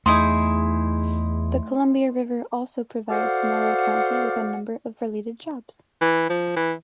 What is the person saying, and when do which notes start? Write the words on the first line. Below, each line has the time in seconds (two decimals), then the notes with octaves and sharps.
The Columbia River also provides Morrow County with a number of related jobs.
0.06 E2 A3 D#4 E4 G#4 C6
3.10 F#4 A4 C5 D5 F5 F#5
6.02 E3
6.30 F3
6.56 E3